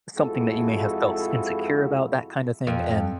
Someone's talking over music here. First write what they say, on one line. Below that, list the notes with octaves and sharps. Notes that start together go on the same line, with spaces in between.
something that you may have felt s insecure about, that kinda thing," and
F2 F3 G#3 E4 F#4 A4
F2